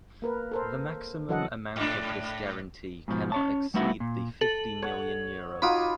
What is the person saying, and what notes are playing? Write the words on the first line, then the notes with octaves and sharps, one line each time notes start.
The maximum amount of this guarantee cannot exceed the fifty million euros.
A#3 A#4 B4
A4 A#4 C5
E3 F#3 A4 D#5 F#5
G#2 D4
G#2 B2 F3
C#4 C#5 A5
G3 A3 B3 D#4 E4 F#4
A#2
A4 F#7
C#5 F#5
D#4 F4 F#4 B5 D6 D#6